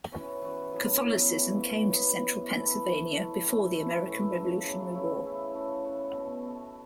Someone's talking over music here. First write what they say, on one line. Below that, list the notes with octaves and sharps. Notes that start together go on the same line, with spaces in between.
Catholicism came to Central Pennsylvania before the American Revolutionary War.
E3 C#4 F#4
E3 C#4 F#4
A2 F#3 B3
A2 F#3 B3
C#3 E3 C#4 F#4
C#3 E3 C#4 F#4
F#2 E3 B3
F#2 E3 B3
E3 A3 E4
E3 A3 E4
A2 A3 C#4
A2 A3 C#4
A2 E3 A3 E4
A2 E3 A3 E4
F#2 C#3 F#3
F#2 C#3 F#3
C#3 E3 C#4 E4
C#3 E3 C#4 E4
C#3 A3 F#4
C#3 A3 F#4
B2 A3 F#4
B2 A3 F#4